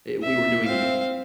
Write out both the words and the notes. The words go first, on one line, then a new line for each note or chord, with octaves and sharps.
i we were doing
E5
C4 F5